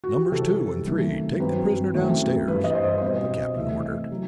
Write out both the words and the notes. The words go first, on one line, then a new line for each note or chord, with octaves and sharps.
"Numbers two and three, take the prisoner down-stairs!" the captain ordered.
F#4
G4
C3 E3 G3 C4 A4
F#2 D#3 F#3 A3 C4
G2 F#3 C4 B4
F#2 E3 A3 C4
G2 E3 G3 B4
D#5
C5
C5
B2 G3 C4 D#5
C3 E3 A3 E5
F#3